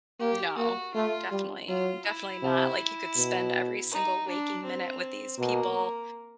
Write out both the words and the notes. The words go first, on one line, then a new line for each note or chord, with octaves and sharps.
No. Definitely. Definitely not. Like, you could spend every single waking minute with these people
A#3 G4
A#3 F#4
A3 F4
G3
F#3 F4
E4
C3
B2
D#4
D4
C4
B2 A#3